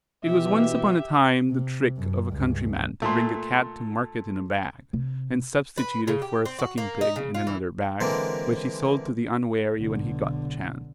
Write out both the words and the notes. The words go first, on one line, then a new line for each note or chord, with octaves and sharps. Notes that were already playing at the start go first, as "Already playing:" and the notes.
It was once upon a time the trick of a countryman to bring a Cat to market in a bag, and substitute it for a sucking pig in another bag, which he sold to the unwary when he got the chance.
B2 E3 G4 E5
C3
F#2
C#2 G2
A#2 A3 A4 C6
C3
B4
C#3
G4
C4
F#4
A#3
D#4
C#3
F4
E3
D3 E3 G#3 A#3 C4
B1 D3